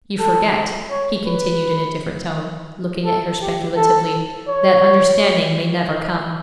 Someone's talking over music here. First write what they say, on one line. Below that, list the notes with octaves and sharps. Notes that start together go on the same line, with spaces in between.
You forget,' he continued in a different tone, looking at her speculatively, 'that understanding may never come.'
A4
C#5
B4
A4
G4
A4
C#5